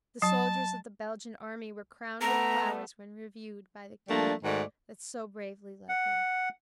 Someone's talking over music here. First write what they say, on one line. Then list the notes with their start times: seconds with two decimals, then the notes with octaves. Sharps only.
The soldiers of the Belgian army were crowned with flowers when reviewed by the King that so bravely led them.
0.22 F#3 A5
2.21 A3 B3 A#5
4.08 F3 G3 A3 A#3 D4
4.43 G#2 D#3 A3 F#4 D5
5.89 F#5